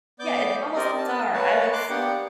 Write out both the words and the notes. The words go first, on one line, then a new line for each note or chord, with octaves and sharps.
Yeah, it's almost bizarre, I was
B3 D5 D6 G6
C4 G4 A#4 D5 D#5
A5
A#3 B4 C#5 A5
C6 D6 F#6
A#3 B3 D4 G4 F#5 G5